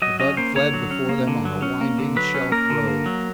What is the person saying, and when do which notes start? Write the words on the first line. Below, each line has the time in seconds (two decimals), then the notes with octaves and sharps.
The bug fled before them on a winding shelf road.
0.02 F#3 D#5
0.20 C#4 D#5
0.37 A#3 C5
0.56 D3 C#5
0.74 F#3
0.91 C#4
1.09 A#3
1.27 D3
1.45 F#3
1.62 C#4
1.81 A#3
1.98 D3
2.16 F#3 B4
2.34 C#4
2.52 A#3 A#4
2.70 D3
2.88 A#3
3.06 F#3